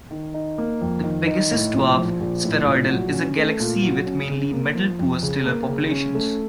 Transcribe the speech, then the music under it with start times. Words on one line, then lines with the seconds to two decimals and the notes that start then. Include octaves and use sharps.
The Pegasus Dwarf Spheroidal is a galaxy with mainly metal-poor stellar populations.
0.11 D#3
0.34 D#4
0.58 A#3
0.82 F2
1.04 D#3
1.27 D#4
1.51 A2
1.73 A#1
1.97 F3
2.20 A#1
2.44 A2
2.66 A#1
2.90 F#3
3.14 C#4
3.36 A3
3.60 A#2
3.82 F#3
4.06 C#4
4.30 C#3
4.53 A#3
4.75 F3
4.99 F2
5.23 C#3
5.45 A#3
5.69 C#3
5.91 C#4
6.15 A3